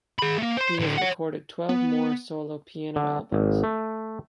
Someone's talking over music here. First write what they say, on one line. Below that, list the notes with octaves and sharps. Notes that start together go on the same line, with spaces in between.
He has recorded twelve more solo piano albums.
G#4 B5
A3 A#3
C5 C6
A2 D3
C#5 F#5
B3
D3
G#1
A3